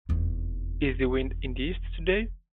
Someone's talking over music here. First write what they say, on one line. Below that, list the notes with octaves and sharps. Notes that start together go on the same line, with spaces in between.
Is the wind in the east today?
F1 E2